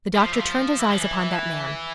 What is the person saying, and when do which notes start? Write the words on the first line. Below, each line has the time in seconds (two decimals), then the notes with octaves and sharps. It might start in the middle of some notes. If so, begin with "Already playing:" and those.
The Doctor turned his eyes upon that man.
0.15 G3
0.23 F3
0.32 E3
0.40 F3
0.79 E3
0.90 F3
1.00 E3